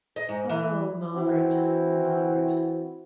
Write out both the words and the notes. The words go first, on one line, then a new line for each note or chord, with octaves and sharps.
Oh, Margaret, Margaret!
D#5
G#2
E3
E3 C4 E4 F#4